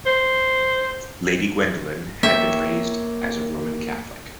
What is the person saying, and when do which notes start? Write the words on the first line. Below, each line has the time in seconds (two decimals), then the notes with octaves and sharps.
Lady Gwendoline had been raised as a Roman Catholic.
0.05 C5
2.23 A#3 C#5 E5 G5